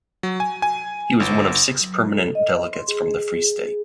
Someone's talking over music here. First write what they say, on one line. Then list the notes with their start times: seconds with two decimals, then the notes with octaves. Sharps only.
He was one of six permanent delegates from the Free State.
0.23 F#3
0.40 G#5
0.62 G#5
1.20 G1
1.81 F#3
2.13 A4
2.35 D#5
2.73 C6
2.88 G#4